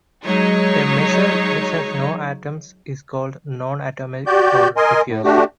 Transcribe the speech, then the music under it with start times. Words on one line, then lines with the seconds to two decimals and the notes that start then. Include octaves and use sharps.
A measure which has no atoms is called non-atomic or diffuse.
0.24 F#3 G#3 D#4 C#5
4.27 F#4 G4 D5 G6
4.77 A#4 D#5 G#5 C6
5.08 A2
5.25 A3 D4 F#4 G4